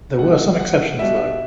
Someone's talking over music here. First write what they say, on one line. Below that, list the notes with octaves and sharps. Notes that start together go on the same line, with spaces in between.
There were some exceptions though.
B2 G3 F#5
F#5
B2 G3 E5